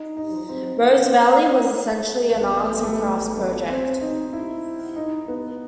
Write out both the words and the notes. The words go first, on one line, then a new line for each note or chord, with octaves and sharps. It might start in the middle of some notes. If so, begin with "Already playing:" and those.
Rose Valley was essentially an arts and crafts project.
Already playing: D#4
D#4
C4
C4
B3
A3
A3
A3
B3
C4
D#4
E4
D#4
B3